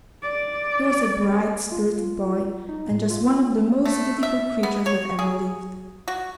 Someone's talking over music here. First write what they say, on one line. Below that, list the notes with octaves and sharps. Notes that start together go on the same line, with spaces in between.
He was a bright, spirited boy, and just one of the most beautiful creatures that ever lived.
D5
F4
D#4
A2
F4
C#4
A3
E5
B3
C#5
G#4
F#4